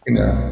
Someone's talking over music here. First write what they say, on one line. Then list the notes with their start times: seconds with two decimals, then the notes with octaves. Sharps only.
you know?
0.15 B1